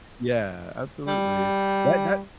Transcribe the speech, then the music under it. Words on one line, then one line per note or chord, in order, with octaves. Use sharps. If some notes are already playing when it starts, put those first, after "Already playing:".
Yeah. Absolutely. That that
G3